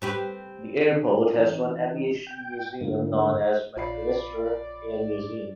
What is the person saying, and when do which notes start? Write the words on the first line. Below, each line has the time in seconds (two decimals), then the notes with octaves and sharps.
The airport has one aviation museum known as McAllister Air Museum.
0.02 C4 G4 B4
1.37 E3 C4 D#4
2.27 G5
2.81 G#2 D3 A#3
3.77 A#1 F4 C#5 D5 F5 B5 C7